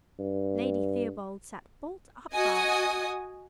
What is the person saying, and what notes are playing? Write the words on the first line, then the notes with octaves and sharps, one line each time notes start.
Lady Theobald sat bolt upright.
G2
F#4 D#5 G#5 D#6